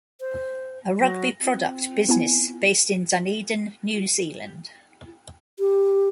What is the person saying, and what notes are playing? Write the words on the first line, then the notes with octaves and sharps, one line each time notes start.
A rugby product business based in Dunedin, New Zealand.
C5
F#3 A#6
C4
B3 E4 G#5
G4